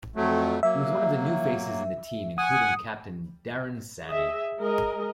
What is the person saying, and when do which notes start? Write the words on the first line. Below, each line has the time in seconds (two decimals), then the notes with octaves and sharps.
He was one of the new faces in the team including captain Darren Sammy.
0.16 F2 F#3 A3
0.63 F#3 A#3 E5
2.38 F#5 G#5 D#6
4.06 G#4 D#5 E5
4.58 G#3 A#4 D#5